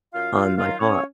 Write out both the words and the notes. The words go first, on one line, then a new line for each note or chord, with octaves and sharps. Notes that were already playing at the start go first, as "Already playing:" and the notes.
on my car.
F#2 F4 F5
F4 F5
D#3 F#3 F4 F5
C#4 C#5